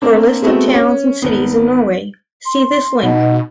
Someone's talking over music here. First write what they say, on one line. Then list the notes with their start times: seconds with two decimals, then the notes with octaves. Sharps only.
For a list of towns and cities in Norway, see this link.
0.02 A#3 C4 D4
0.42 G#3 A3 B3 C4 F#4
0.73 C#4
1.22 G#1 B3
2.46 C6
3.03 B2 D#4 F#5